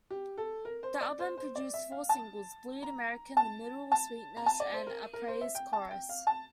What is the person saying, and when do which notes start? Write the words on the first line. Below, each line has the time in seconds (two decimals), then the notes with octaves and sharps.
The album produced four singles: "Bleed American", "The Middle", "Sweetness", and "A Praise Chorus".
0.11 G4
0.38 A4
0.65 A#4
0.83 C5
1.01 D5
1.19 C5
1.37 C5
1.56 D5
1.74 E5
1.92 F5
2.09 A5
2.83 A#5
3.37 A5
3.92 A5
4.37 A#5
4.46 A5
4.60 D5
4.73 C5
4.87 A#4
5.13 A#4
5.28 C5
5.41 E5
5.55 G5
5.73 A5
5.91 G5
6.09 F5
6.27 A5